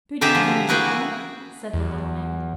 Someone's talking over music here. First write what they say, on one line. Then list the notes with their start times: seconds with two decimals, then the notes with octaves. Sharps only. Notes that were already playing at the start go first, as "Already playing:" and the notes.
"Good evening, John!" said the little man.
0.21 B2 D3 G4 G#4 E5 A#5
0.35 F3
0.69 B3 E4 F#4 G#4 G5
1.73 E2